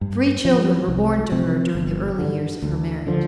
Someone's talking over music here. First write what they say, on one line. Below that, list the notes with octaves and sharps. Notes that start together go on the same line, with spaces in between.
Three children were born to her during the early years of her marriage.
G2
F3 C4
C2
C3 F3 C4
G1
G2 D3
D2
D3 F3